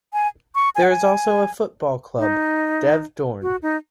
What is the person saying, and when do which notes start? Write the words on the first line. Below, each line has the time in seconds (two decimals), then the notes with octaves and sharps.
There is also a football club, Dev Doorn.
0.13 G#5
0.55 C#6
0.75 G#5
0.83 F#5
0.91 G#5
2.19 D#4
3.42 F#4
3.62 D#4